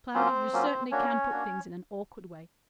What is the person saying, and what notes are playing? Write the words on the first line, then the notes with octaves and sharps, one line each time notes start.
Cloudy, you certainly can put things in an awkward way.
F#3 A#3 C4 C#4 F4 C5
F#3 A#3 C#4 F4
A#3 C#4 D4 F#4 C#5
A#3 D4 F#4